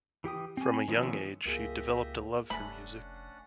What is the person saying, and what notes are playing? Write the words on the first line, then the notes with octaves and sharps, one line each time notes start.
From a young age, she developed a love for music.
E3 G4 G5 D#6
C4 G#5
D#3 F3 B3 C#4 E5
C#2 A#3 F4 G4 G#4 D#5 E5
F1 A3 C#4 D4 F#5 G#5 B5